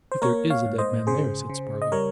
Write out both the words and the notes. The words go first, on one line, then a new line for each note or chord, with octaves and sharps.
"If there is a dead man there," said Spargo.
C5
A#3 A#4 C#5
C#5 F5
G#2
C5 D#5
C#3 G#4 C5
C#3
D#5
G3 A#4 C#5